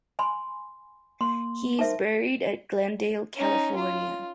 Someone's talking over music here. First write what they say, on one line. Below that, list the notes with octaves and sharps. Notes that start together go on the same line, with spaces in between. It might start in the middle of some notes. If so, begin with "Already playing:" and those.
He is buried at Glendale, California.
G#5 B5 C6
A#3 C6
D#4 A#4 C5 E5 A5
C#4 D#4
F4